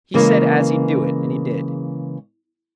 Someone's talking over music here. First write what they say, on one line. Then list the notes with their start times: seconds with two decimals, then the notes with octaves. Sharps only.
He said as he'd do it, and he did.
0.14 C#3 E3 G#3 A#3